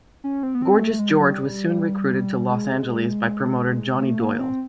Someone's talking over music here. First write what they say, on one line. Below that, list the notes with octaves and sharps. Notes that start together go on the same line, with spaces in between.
Gorgeous George was soon recruited to Los Angeles by promoter Johnny Doyle.
C#4
C4
B3
C4
A3
G#3
G3
F#3
G3
G#3
A3
A#3
C4